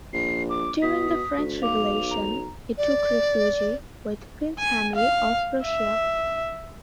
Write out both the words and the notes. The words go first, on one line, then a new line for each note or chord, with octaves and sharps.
During the French Revolution he took refuge with Prince Henry of Prussia.
A#1 C7
D6
B2 D#6 B6
D2
B1 F5 D6 F7
A#5
D5
G#5
F5
E5